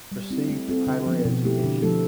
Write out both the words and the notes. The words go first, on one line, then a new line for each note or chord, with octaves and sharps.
Received primary education.
G3
C4 E4
A3
C4 F4 A4
D3
F3 B3
B2
A3 E4 G4
D3
F3 A3 E4 A4